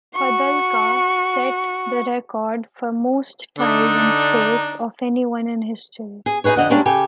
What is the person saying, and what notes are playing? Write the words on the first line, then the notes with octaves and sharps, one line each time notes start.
Padalka set the record for most time in space of anyone in history.
F#4 C#6
D3 D4 D#4
G#4
D#4 E4 G#4 B4 C#5
F2 D3 D#5 F#5
G3 G#3 A#3 C#4 D4
C#3 G4 A4 G#5